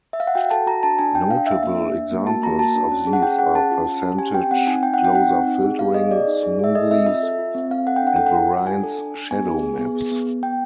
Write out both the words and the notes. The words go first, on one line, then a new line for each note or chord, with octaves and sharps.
Notable examples of these are Percentage Closer Filtering, Smoothies, and Variance Shadow maps.
E5
F5
F#5
F#4 G5
A4 A5
F#4 A#5
D4 A5
D4 G#5
D4 G5
D4 F5
D4 E5
A#3 E5
D4
D4
A#3
F#4 A5
A#3 A#5
F#4 A5
D4
C#4
G#4
F#5
C#4 G5
G#4 F#5
C#4 A5
F4
C#4
C#4
G4 G#5
C4 G5
C4 F#5
D#4 G#5
D#4 G5
F#5
C4
G5
D#4 F#5
C4
D#4
G#4
B3 F5
G#4 D#5
G#4 D5
D#4
G#4
G#4 E5
A4 D#5
C4 E5
F4 E5
A4
F4
C4
C4 F5
A4 F#5
G5
D4 F#5
A4 G5
F#5
F4
F4
D4 G#5
A4
D4
D4
B3 G#5
G#4
G#4
B3
G#4
B3
B3
B3 G5